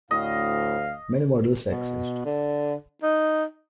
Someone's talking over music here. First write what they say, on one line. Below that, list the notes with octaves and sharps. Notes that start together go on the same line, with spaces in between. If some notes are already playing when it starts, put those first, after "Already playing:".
Many models exist.
D2 A2 D#5 F5
B2
D3
D#4